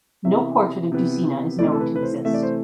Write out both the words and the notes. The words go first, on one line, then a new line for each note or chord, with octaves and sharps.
No portrait of Dusina is known to exist.
C3 E3 B3 E5
C3 E3 B3
C3 E3 A3 D5
A4
B4
B4
C5
C3 E3 A3 E5
D5
C5